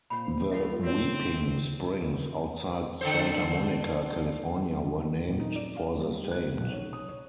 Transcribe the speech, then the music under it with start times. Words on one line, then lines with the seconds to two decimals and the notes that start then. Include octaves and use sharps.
The "weeping" springs outside Santa Monica, California were named for the saint.
0.10 A#2 C4 F5 B5
0.51 A3 F4 A4 E5
0.83 C4 F#4 C#5
3.01 D3 A4 C5
5.25 A#2
5.40 D#4
5.55 D5
5.77 F5
5.98 G3
6.31 F#6
6.60 B1
6.72 C#5
6.93 D#6
7.09 C#5